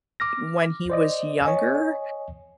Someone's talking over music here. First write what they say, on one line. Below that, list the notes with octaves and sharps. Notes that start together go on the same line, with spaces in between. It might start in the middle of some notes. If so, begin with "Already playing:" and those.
when he was younger,
D6 F6 A#6
C5 D5 D#5
C#5 D#5 G#5